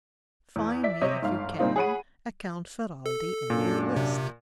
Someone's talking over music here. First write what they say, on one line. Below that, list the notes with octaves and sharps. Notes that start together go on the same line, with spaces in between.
"Find me, if you can, a Count Ferralti in the list."
E2
D5 E5 B6
C3 C#5 D#5 E5
G1 G#2 F5
A#2 G3 A#3 C4 D#4 F4
G#4 C#5 F#5 B5 D#7
A4
F#2 A#2 D4
C3